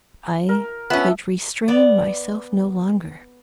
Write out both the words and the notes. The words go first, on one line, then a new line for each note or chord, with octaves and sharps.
I could restrain myself no longer.
A#4
F3 B3 C#4 E5
B3 D5